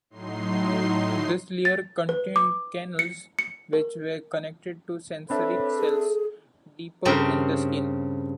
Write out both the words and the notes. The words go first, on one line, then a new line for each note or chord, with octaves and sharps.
This layer contained canals which were connected to sensory cells deeper in the skin.
A2 F#3 D#4 C6 C7
A6
B4
D6
C#7
C#7
A#4
C4 D4 A4 B4 C#5 E5
G#4
G2 C#3 C4 A#4 G5